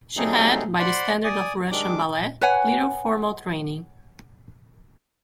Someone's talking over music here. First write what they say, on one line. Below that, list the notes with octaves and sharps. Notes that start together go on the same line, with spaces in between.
She had, by the standard of Russian ballet, little formal training.
F#3 G3 A3 C4 D#4 G#4
C5 D5 F#5 B5 C6
D5 G#5 D#6
D#3 G3 G#3 D4 D6
B4 C#5 F#5 G#5